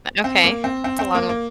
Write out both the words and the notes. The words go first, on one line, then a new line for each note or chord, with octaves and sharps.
Eh okay, that's a long
C4
A#3
C4
C4
C4
A#3
A#3